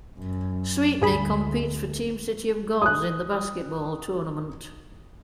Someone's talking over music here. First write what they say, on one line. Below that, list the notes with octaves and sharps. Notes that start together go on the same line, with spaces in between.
Sweetney competes for Team City of Gods in The Basketball Tournament.
F#2
D2 G2 G#4 B5
D#6 F#6